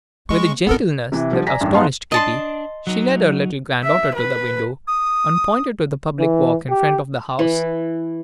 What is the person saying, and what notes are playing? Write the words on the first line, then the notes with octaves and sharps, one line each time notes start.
With a gentleness that astonished Kitty, she led her little granddaughter to the window, and pointed to the public walk in front of the house.
G#3 A#3 C#6
G#2 B3 D#4 A4 A#4
C3 E3
D3 F3 G3
D5 G#5 A#5 A#6 B6
A1 G2 D#3 D4
B3 D#4 G#4 F5 A5 C6
D4 D#5 A5 C6
F#3 D#4
E5
B4
D#6
E3
G4
E3